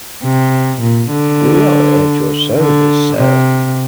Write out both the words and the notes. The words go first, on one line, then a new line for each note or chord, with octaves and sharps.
We are at your service, Sir.
C3
A#2
D3
D3
C3